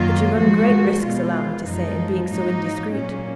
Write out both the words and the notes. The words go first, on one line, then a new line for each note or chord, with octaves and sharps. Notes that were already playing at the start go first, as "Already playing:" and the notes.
But you run great risks, allow me to say, in being so indiscreet.
Already playing: F#2 D#3 F#3 A#3 F4
G#2 F3 G#3 F#4
B2 G#3 F4
F#2 F3 G#3 D#4
G#2 F#3 A#3 D#4
A#2 F#3 A#3 C#4